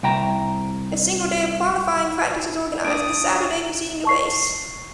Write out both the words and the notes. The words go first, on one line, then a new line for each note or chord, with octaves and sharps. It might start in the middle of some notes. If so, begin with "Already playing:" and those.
A single day of qualifying practice is organized, the Saturday preceding the race.
C2 G5 A#5
D4 D5 D#6 D7
A5 C#6 C7